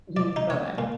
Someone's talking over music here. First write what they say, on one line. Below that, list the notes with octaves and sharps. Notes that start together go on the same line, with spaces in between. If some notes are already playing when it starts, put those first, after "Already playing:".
Mhm. Bye-bye.
D5
D#4
C#5
A#2